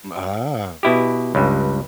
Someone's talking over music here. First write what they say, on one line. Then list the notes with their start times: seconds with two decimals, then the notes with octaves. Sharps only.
M ah.
0.83 B2 E4 G4
1.35 C#2 G2